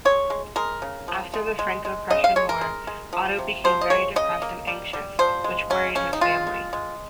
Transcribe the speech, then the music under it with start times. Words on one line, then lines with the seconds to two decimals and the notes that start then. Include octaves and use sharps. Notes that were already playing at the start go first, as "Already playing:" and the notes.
After the Franco-Prussian War, Otto became very depressed and anxious, which worried his family.
0.05 G#3 C#5
0.30 G#3
0.56 G#3 A#4
0.82 C#3
1.08 F3
1.34 G#3
1.59 G#3
1.85 G#3
2.10 C#3 D#5
2.24 F5
2.36 G#3 C#5
2.49 A#4
2.61 G#3
2.87 G#3
3.13 F3
3.39 C3
3.64 F3 C5
3.81 D#5
3.90 G#3 C#5
4.16 C#3 D#5
4.42 A#3
4.67 G3
4.93 G3
5.19 F3 C5
5.44 G#3
5.70 C#3 C#4
5.95 C#3 C#4
6.13 D#4
6.21 G#3 F4
6.47 G#3
6.73 G#3